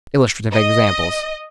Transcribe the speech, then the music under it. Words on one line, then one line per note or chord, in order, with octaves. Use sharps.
Illustrative examples.
D#5